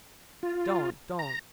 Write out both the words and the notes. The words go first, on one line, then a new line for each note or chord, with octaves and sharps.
'Don't, don't!
F4
A#5